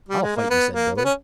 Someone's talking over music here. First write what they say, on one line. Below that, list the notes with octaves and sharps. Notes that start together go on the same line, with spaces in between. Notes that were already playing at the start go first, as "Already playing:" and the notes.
"I'll fight you," said Billy.
G3
G#3
A#3
B3
A#3
B3
C#4